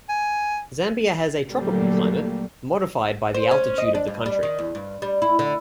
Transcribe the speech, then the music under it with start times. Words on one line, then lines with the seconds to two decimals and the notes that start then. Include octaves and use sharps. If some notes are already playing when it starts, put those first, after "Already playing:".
Zambia has a tropical climate, modified by the altitude of the country.
0.09 G#5
1.50 A#2 D3 F#3 G3 A3 A#3
3.34 C5
3.51 C#4
3.78 D#5
3.95 D4
4.07 G2
4.26 G3
4.43 D#3
4.59 E2
4.75 G2
5.02 G3
5.22 E4
5.39 D3